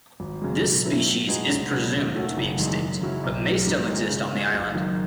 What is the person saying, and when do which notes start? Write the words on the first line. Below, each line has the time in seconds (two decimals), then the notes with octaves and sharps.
This species is presumed to be extinct, but may still exist on the island.
0.20 G#1
0.42 F#2 C#3 G#3
0.64 B2
0.85 F#3 C#4 E4 B4
1.07 A2
1.28 G#3 D#4 F#4 B4
1.49 C#2
1.72 B2 F#3 B3
1.94 D#2
2.15 D#3 A3 C#4 F#4
2.37 F#1
2.58 E2 D#3 G#3
2.80 F#2
3.01 C#3 F#3 C#4 E4
3.23 B1
3.44 A2 F#3
3.67 G#2
3.88 D#3 G#3
4.10 C#3
4.32 G#3 C#4
4.54 F#1
4.75 F#2 D#3